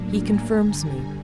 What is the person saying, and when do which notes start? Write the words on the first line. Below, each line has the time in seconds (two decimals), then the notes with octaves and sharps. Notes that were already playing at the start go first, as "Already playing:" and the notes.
He confirms me.
Already playing: A2 F#3 A#3 D4
0.16 G#5 A#5
0.60 G2 D3 G3